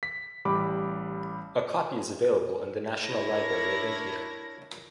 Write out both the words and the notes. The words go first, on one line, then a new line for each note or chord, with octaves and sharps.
A copy is available in the National Library of India.
B6
A1 G3 B5 D6
D4 E4 A#4 C#5 G#6 A#6